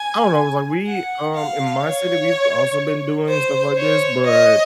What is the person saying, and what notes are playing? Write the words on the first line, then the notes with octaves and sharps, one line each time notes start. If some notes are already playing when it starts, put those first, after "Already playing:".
I don't know, it's, like, we um, in my city, we've also been doing stuff like this, but,
Already playing: G#5
F#5
F5
C#5
C5
C#5
D#5